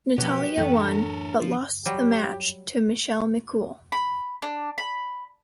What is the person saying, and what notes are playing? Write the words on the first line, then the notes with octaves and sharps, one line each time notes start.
Natalya won, but lost the match to Michelle McCool.
F#2 B2 F3 B3 C#4 G4
F#2 A2 E3 A3 B3 C#4 G5
D4 A4 A#4
F3
F#3 G3 G4
B5
D4
B5